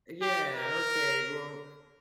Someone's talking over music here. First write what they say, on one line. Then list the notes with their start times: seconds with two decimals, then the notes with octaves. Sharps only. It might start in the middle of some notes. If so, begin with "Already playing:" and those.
yeah, okay, well,
0.22 G4
0.55 A#4